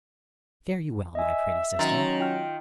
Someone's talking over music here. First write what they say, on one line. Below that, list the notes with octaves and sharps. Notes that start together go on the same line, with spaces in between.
Fare you well, my pretty sister.
D#5 E5 G#5
D#3 F#3 C#4 A#5 C6 A6
F4 G5 F6